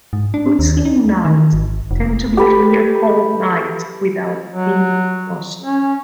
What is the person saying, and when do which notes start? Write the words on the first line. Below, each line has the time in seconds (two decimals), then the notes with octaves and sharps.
Good seeing nights tend to be clear, cold nights without wind gusts.
0.13 G#2
0.34 D4
0.59 D#2
0.85 D#4
1.25 D#3
1.53 G#1
1.91 F1
2.37 G4 A4 B4
4.50 F#3
5.62 C#4